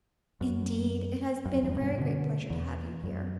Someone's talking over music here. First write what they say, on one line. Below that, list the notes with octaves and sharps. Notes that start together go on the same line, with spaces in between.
'Indeed, it has been a very great pleasure to have you here.'
F#2
F#2
E2 G2
G2 B2
B2 D3
E2
F#2